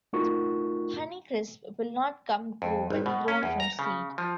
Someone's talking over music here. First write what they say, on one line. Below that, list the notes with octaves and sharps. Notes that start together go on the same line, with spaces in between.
Honeycrisp will not come true when grown from seed.
A3 D#4 F4 F#4 A#4 C#6
F2
G#1
B2
C#4
E2
A#5
C#3
F3